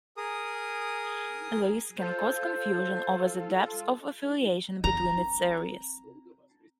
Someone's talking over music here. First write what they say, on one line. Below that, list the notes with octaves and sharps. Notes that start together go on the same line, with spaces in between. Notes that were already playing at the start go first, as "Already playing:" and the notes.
This can cause confusion over the depth of affiliation between its areas.
G#4 A#4 D#6
F4 A4 C5
C4 A#5